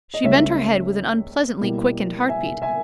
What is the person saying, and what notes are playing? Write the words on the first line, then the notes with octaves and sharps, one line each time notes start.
She bent her head with an unpleasantly-quickened heart-beat.
D#5
C#2 C#3 G3 A#3 C#4 C#5 E5
B2 G3 A#3 E4
E5 G#5
E5 G#5